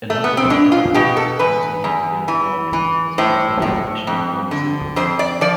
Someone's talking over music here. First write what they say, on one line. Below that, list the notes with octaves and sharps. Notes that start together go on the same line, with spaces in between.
A number of companies also use the aircraft as part of fractional ownership programs.
A3
B3
C4
B2 D4
F4
B2 G4
A4
E2 B4
E2
E3
E3
A2 C5
A2
F2
D3
F2 C5
D5
F3 D5